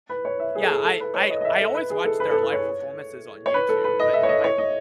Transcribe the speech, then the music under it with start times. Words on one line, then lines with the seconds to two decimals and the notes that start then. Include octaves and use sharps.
Yeah, I I I always watch their live performances on YouTube, but I've n
0.09 B4
0.25 C#5
0.39 E5
0.55 G#4
0.63 A4
0.70 G#4
0.85 A4
1.00 B4
1.14 C#5
1.30 D#5
1.41 D#5
1.45 E5
1.60 A4
1.74 B4
1.90 G#4
2.05 A4
2.20 B4
2.31 A4
2.42 A4
2.53 C#5
3.46 C#5
3.54 B4
3.69 A4
3.84 B4
3.99 D#5
4.13 E5
4.23 C#5
4.29 D#5
4.44 C#5
4.58 D#5